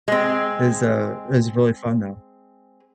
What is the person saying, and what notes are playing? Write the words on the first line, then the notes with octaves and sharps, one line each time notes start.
is, uh, is really fun though.
G#3 C4